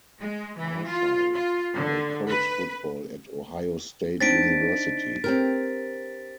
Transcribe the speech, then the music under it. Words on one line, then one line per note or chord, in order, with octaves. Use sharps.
Marshall played college football at Ohio State University.
G#3
E3
F4
F4
D3
B4
C4 D4 D#4 A6 B6 D7
C4 G4 A#4